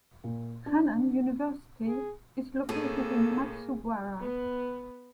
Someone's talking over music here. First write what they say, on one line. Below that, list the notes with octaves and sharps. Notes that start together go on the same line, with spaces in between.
Hannan University is located in Matsubara.
A#2
D4
G#4
A2 A#3 G#4 A4
B3